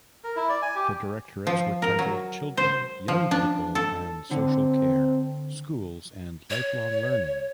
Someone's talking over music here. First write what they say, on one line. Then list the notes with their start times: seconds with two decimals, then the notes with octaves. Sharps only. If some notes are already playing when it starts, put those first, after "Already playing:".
The Directorates were titled Children, Young People and Social Care; Schools; and Lifelong Learning.
0.24 A#4
0.36 E4
0.49 D5
0.62 G#5
0.75 G4
1.47 F3
1.82 A#4
1.99 F#3
2.57 C5
3.08 F3
3.31 D4
3.75 A4
4.31 D3 C4
6.50 C#5